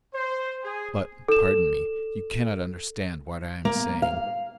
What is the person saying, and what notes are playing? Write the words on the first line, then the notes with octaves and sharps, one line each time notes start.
But, pardon me, you cannot understand what I am saying.
C5
G#4
A4 E7
A#3
F5